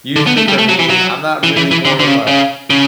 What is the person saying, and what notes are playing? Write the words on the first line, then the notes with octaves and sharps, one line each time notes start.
usually for me, I'm not really more of a
D3
B3
A3
G3
A3
F#3
E3
F#3
E3
E3
E3
D3
D3
C#3
C#3
C#3